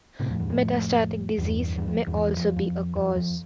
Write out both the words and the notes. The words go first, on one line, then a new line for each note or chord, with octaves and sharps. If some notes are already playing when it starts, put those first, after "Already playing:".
Metastatic disease may also be a cause.
A2 C3
F2 A2
E2 G2
F2 A2
E2 G2
E2 G2
F2
E2 G2
E2
F2
F2
F2
F2